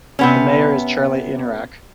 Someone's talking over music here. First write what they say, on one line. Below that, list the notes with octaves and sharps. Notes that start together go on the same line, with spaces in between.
The mayor is Charlie Inuarak.
C3 B3 C#4